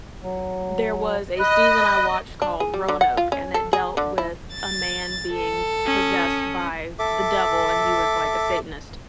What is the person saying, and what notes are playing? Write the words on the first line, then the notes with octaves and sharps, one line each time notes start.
there was a season I watched called Roanoke, and it dealt with a man being possessed by the devil and he was like a Satanist.
F#3
D#5 B5 F#6
D4
G#4
G3
D3
F#5
F4
C#4
A4
G#4
D3
E4
A6
A4
C#4 D#6
A4 E5 D6